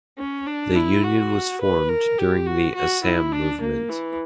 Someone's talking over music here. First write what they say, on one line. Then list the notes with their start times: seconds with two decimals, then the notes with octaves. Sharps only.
The union was formed during the Assam movement.
0.18 C#4
0.47 D4
0.75 E4
1.03 F#4
1.62 B4
1.89 A#4
2.18 G4
2.47 F#4
2.75 F#4
3.04 E4
3.32 D4
3.61 A#3
3.89 E3